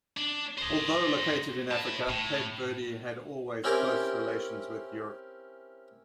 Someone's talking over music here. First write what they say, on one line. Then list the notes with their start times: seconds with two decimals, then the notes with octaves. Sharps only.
Although located in Africa, Cape Verde had always close relations with Europe.
0.17 D4
0.58 C5 D#5
1.71 E4 A5
2.09 A2
3.64 C4 C#4 E4 G4 A#4